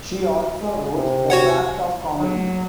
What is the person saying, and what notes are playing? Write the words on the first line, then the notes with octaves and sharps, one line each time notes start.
She also wrote "The Craft of Comedy".
G#3
C3
F#4 C#5 F#5
F#3